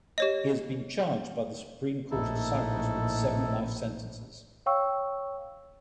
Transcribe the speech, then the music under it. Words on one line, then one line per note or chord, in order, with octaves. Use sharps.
He has been charged by the Supreme Court of Cyprus with seven life sentences.
G4 C#5 D#5
A#1 A2 D#4 E4 A4
C#5 F5 G5 C#6 E6